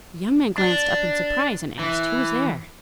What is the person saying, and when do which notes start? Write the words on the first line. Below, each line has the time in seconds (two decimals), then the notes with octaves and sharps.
The young man glanced up in surprise, and asked who was there.
0.58 D4
1.79 E3